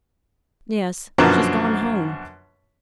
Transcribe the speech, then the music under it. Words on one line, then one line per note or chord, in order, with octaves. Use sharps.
"Yes, she's gone home."
F#2 B2 D3 F3 A#3